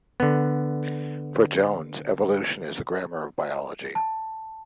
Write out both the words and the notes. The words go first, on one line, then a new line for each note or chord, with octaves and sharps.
For Jones, 'evolution is the grammar of biology'.
D3 B3
A5